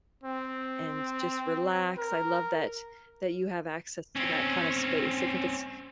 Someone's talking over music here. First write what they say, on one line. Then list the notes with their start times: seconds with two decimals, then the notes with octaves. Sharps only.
and just relax, I love that that you have access to that kinda space, I think it's
0.23 C4
1.98 A#4
4.16 C4 C#4